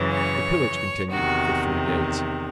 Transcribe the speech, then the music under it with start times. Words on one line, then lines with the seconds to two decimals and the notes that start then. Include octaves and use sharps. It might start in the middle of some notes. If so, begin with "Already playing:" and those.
The pillage continued for three days.
Already playing: F#2 C#3 E3
0.13 C#5
1.11 E2 C3 D#3 F#4